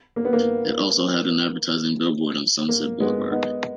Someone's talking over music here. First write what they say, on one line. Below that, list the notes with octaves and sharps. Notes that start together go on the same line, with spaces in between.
It also had an advertising billboard on Sunset Boulevard.
A#3
B3
A#3
A#3
G#3 B3
B3 D#4